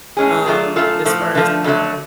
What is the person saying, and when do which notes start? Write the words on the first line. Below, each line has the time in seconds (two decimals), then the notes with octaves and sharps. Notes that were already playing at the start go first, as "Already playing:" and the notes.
um, as far as
0.17 A2 G#3 C#4 G#4
0.46 F#3 A3 F4 G#4
0.76 F#2 F3 A3 F4 A4
1.05 A2 F3 A3
1.35 D3 F3 A3
1.64 F2 D3 F#3 A3